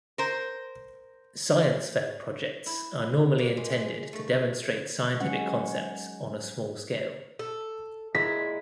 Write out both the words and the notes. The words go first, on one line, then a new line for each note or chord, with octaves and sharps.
Science fair projects are normally intended to demonstrate scientific concepts on a small scale.
A#4 C5
E4
A#3
G#3
A3
D#3 F#3 G#3 C#4 F#5
A4
A#2 G#3 E4 B6